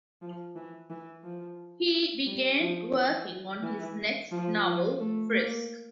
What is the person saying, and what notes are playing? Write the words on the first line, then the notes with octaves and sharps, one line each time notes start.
He began working on his next novel, "Frisk".
F3
E3
E3
F3
G3
F3
E3
E3
F3
F3
A3
A#3